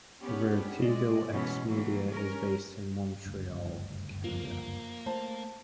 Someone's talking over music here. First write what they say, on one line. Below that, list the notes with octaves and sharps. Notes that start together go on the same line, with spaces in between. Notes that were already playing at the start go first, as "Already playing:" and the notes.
VertigoXmedia is based in Montreal, Canada.
B3 C#4 D4 G4
G#3 D5 D#5
G#2 B2 E3 B3 C#4
E3 F#3 A3 A#3
C#4 A#4
F#1 D2 G2
F3 A#3
A3 C5 A5